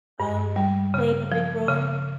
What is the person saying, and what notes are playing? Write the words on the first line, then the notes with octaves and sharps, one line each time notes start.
um, played a big role
G2
G3
C#3
F3
C#3